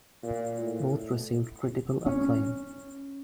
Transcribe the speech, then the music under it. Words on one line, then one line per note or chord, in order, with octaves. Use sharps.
Both received critical acclaim.
A#2
A2
C#4